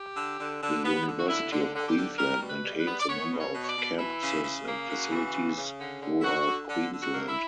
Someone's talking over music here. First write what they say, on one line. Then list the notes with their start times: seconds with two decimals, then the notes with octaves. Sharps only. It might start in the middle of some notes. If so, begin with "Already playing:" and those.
The University of Queensland maintains a number of campuses and facilities throughout Queensland.
Already playing: G4
0.16 D3
0.39 D3
0.62 D3
0.84 B3
1.07 D3
1.18 F#4
1.28 D3 E4
1.51 D3
1.75 D3
1.89 G4
1.97 D3
2.18 G3 A#4
2.42 B2
2.49 B4
2.63 G3
2.79 B4
2.86 B3
3.00 D5
3.09 B3 C#5
3.31 B2
3.39 C#5
3.54 B2
3.63 C#5
3.68 D5
3.77 B2
3.99 E3 E4
4.22 C#3
4.43 C#3
4.67 A#3
4.89 C#3 F#4
5.11 E3
5.33 C#3
5.56 C#3
5.79 D3
6.01 D3
6.20 E4
6.23 D3 F#4
6.47 D3
6.68 D3
6.92 D3
6.99 F#4
7.13 A#3
7.28 E4